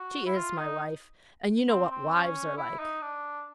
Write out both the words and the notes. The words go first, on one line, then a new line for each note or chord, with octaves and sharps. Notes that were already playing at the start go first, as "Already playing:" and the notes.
She is my wife; and you know what wives are like.
Already playing: F#4
E4
F4
D#4
C4
C4
C#4
E4
D#4
D4